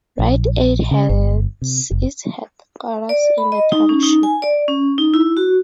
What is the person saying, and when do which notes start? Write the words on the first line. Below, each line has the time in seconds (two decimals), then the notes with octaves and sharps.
Rite Aid has its headquarters in the township.
0.19 A#1
0.91 C#3
1.10 G1
1.62 C3
1.91 F#1
3.09 D5
3.38 B5
3.52 D#5
3.72 D#4
3.89 C#4
4.03 D#4
4.23 G#5
4.42 D5
4.68 C#4
4.98 D#4
5.14 E4
5.37 F#4